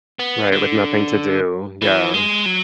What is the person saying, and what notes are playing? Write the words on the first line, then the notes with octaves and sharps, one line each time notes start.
Right, with nothing to do. Yeah.
B3
D3
E3
G#3
F#3